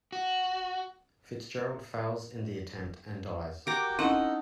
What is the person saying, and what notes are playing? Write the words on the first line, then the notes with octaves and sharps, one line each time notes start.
Fitzgerald fails in the attempt and dies.
F#4
F#4 G4 A#4 A#5 D6
C4 C#4 D#4 E4 A4 F#5